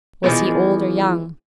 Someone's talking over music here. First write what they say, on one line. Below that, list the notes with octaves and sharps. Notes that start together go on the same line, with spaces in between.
Was he old or young?
E3 F3 G#3 B3